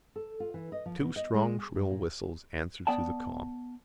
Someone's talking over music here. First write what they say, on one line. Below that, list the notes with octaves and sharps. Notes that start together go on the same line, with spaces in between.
Two strong shrill whistles answered through the calm.
A4
F4
E3
D#5
F3
B2
D#5
G#3
G#5
F#2
A#2
B3 D5 G5 A5